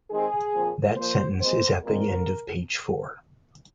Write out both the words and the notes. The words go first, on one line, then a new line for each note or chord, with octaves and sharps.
That sentence is at the end of page four.
D#3 G#3 C4 G#4
A#2 F3 C4
A#2 F3 A#3 C5
A#2 G#3 C4 C5
A#2 G#3 C4 A#4